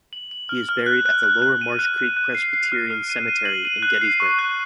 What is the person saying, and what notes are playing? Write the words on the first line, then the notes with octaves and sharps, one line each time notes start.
He is buried at the Lower Marsh Creek Presbyterian Cemetery in Gettysburg.
F#7
F#7
F6
F6
F#6
F#6
F#6
F#6
D#7
F#6
F#6
F#6
C7
C7
F6
F6
D#7
D#7
F#7
D#7
F#6
C7
C#6
F#6